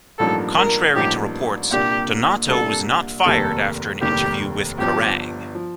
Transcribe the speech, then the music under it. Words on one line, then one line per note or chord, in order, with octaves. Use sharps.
Contrary to reports, Donato was not fired after an interview with Kerrang!
A1 G2 F3 A#3 D#4 A4
A#4
A1 G2 F3 A#3 D#4 G4
C2 A#2 G3 A#3 D4 G4
C2 A#2 G3 A#3 D4 A4
F1 D#2 D#3 G3 A#3 A4
F1 D#2 D#3 G3 A#3 G4
G1 G2 F3 G4
F3